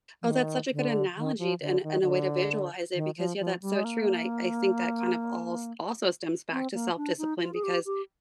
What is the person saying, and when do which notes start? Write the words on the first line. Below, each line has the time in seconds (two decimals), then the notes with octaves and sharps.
Oh, that's such a good analogy t and and a way to visualize it because yeah, that's so true, and I I think that kind of als also stems back to self-discipline because
0.22 F3
0.28 D#3
0.72 D3
1.16 D#3
1.39 F3
1.61 D3
1.83 D#3
2.02 D#3
2.06 D3
2.95 D#3
3.18 F3
3.40 F3
3.62 G3
3.75 G#3
3.84 A#3
6.52 C4
6.74 A#3
6.97 D4
7.18 D#4
7.42 F4
7.54 G#4
7.63 G4
7.86 G4